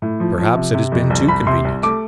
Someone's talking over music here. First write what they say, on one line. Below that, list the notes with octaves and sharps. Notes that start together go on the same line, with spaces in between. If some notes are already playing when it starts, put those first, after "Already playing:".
Perhaps it has been too convenient.
A2
F3
F3
C3
C3
F2
C2
C2 B5
C3 C6
C2
A3 D6